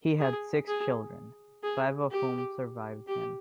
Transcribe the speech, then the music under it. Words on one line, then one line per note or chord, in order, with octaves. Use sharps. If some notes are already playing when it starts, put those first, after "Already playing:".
He had six children, five of whom survived him.
G#4
G#4
G#4
G4
G4